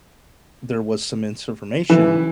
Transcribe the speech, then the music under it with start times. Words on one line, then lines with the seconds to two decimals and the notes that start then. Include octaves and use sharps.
there was some misinformation,
1.90 E3